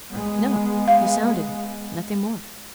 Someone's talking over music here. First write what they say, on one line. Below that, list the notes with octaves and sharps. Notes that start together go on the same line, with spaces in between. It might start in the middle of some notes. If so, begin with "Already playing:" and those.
No, you sounded me, nothing more.
G#3 B3
F5